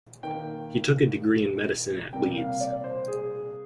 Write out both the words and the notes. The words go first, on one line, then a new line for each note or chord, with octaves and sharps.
He took a degree in medicine at Leeds.
D#3 A#3 G5
C3 G3 A#3 G5
F5
D5
C5
G#4